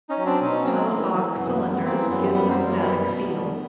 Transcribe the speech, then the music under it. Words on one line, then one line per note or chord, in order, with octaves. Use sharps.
Halbach cylinders give a static field.
C#4 D#4
F#3
C4 D4
B2 C#4 D#4
F#3 A#3 C4
E3 B3
E3 A#3
F#2 B3
B3
G3 B3
B3
E3 A#3 C4
F#2 B3
G3 B3
A#3 C4
F#2
A#3
G3 B3
B2
G3